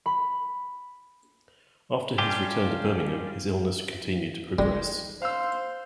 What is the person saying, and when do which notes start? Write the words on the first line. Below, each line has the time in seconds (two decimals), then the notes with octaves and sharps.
After his return to Birmingham, his illness continued to progress.
0.06 B5
2.18 G3 C#4 D4 F4 G4
4.59 G3 G#3 D#4
5.22 C5 F5 E6